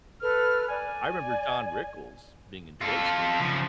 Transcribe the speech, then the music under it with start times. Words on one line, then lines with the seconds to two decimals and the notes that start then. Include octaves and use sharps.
I remember Don Rickles being in Toy Story,
0.21 A4 B4 F6
0.69 D5 G#5
2.81 F4 A4
3.40 C#3 F3